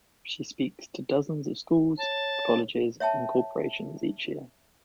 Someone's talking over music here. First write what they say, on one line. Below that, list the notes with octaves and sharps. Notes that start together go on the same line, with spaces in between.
She speaks to dozens of schools, colleges and corporations each year.
C#5 A5
C#5 E5 G5 A5